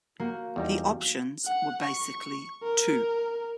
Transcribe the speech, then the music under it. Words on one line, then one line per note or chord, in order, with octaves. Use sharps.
The options were basically two.
A#3 F#4 G4
E2 G3 D#4
F#5
C#6
A#4